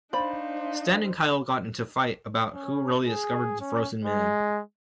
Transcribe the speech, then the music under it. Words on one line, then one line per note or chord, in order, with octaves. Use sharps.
Stan and Kyle get into a fight about who really discovered the frozen man.
D4 D#4 C5 D5 F5 B5
C#4
G#4
C#4
G#3